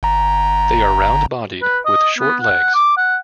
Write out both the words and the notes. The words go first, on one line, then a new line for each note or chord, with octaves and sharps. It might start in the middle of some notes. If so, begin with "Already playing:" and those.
They are round-bodied, with short legs.
G1 A#5
B4
D#5
B3
F#5
D6
F#5